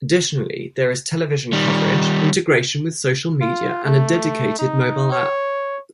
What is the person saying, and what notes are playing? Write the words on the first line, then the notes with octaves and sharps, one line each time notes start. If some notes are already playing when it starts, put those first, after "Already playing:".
Additionally there is television coverage, integration with social media, and a dedicated mobile app.
D#3 G3
F4
A3
D#4
C#5